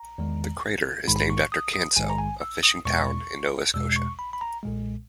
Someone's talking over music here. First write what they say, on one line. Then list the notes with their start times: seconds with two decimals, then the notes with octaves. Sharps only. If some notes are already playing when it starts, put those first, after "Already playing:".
The crater is named after Canso, a fishing town in Nova Scotia.
Already playing: A#5
0.18 E2 D#3 G#3
1.07 A#1 G#2 D#3 G#3 B5
1.30 C#6
1.52 D#6
1.74 D#6
1.96 A#1 G#2 D#3 G#3 G#5
2.10 A#5
2.19 G#5
2.41 E6
2.63 D#6
2.85 E2 B2 G#3 C#6
3.74 E2 B2 G#3 E6
3.96 C#6
4.19 B5
4.33 B5
4.41 A#5
4.63 B1 A#2 G#3